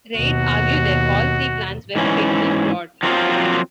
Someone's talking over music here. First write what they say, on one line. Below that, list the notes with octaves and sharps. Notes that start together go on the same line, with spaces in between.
Reid argued that all three plans were fatally flawed.
D#2 B2 F#4
G#2 E3 C#4
F3 F#3 A#3 C4 E4 F4